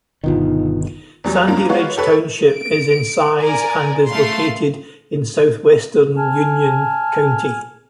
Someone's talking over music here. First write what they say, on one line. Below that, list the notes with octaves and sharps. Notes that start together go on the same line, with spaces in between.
Sandy Ridge Township is in size and is located in southwestern Union County.
G1 B2 D#3 D#4 F4
E2 F#3 G3
F#2 A#3 D4 F4 A#5
G#3 B3 F4 F#4 C#5
G4 A4 B4 C#5
D7
A#4 D5 G#5
A3 F5 C6
G#5 A5 F6